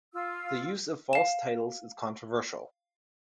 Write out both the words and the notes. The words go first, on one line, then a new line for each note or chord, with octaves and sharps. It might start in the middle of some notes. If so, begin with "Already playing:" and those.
The use of false titles is controversial.
F4 E6
F5 E7